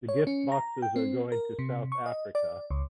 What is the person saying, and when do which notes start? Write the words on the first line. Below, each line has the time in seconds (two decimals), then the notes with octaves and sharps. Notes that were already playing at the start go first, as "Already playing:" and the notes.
The gift boxes are going to South Africa.
0.08 C#5
0.27 C#4
0.52 A#5
0.82 G5
0.96 C4
1.32 A#4
1.59 C3
1.92 C#6
2.06 D#5
2.35 D5
2.70 C#2